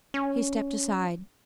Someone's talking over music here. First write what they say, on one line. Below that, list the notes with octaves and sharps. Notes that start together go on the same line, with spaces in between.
He stepped aside.
C#4